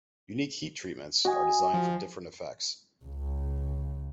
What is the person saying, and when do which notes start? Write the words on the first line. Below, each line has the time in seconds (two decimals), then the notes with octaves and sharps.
Unique heat treatments are designed for different effects.
1.25 F#4 D#5 G#5
1.74 F3
3.05 C#2 C#3